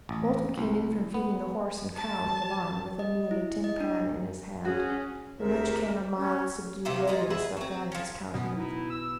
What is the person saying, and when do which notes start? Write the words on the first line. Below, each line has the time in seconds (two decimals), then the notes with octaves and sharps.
Bolton came in from feeding the horse and cow in the barn, with a mealy tin pan in his hand, from which came a mild, subdued radiance like that of his countenance.
0.09 A1
0.58 C2
1.14 B3
1.96 A5
2.99 D#5
3.31 E4
3.64 D#5
3.80 D4
4.65 C#4 F#4 G#4
5.40 D2 C3 G#4 A#4 E5
6.18 C#4
6.85 C3 D#3 F#3 A#3
7.07 A#2 G#3 D#4 A#5
7.30 G#4 B4 E5 F#5
7.57 F#3 C4
7.92 F3 C#4
8.34 B2 B3 C#4
8.57 D#4 E4
8.90 E6